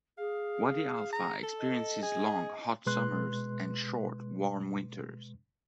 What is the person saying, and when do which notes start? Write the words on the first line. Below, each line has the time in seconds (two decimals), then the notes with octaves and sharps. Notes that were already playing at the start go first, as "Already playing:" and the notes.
Wadi Halfa experiences long, hot summers and short, warm winters.
0.18 G#4 F5
1.13 A#5
1.43 A4
1.59 D#5
2.02 G#4
2.86 B2 G#3 B4 C6 F#6